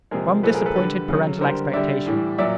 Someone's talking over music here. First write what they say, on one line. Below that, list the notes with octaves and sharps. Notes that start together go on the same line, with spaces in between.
Rum disappointed parental expectation.
C3 F3 G#3 G#4 A#4
A#2 F3 G#3 A4 B4
G#4 A#4
A4 B4
D3 G3 A4 B4
C#3 F#3
D3 G3 A#4 C5
D3 G3 D5 E5
A2 E3 G3
A#2 F#3 D5 E5